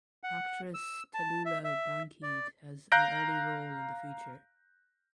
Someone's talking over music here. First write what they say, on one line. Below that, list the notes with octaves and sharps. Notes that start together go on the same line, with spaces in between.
Actress Tallulah Bankhead has an early role in the feature.
F#5
E6
A5
E5
E5
D5
F5 A#5 F#6 G6 A#6 D7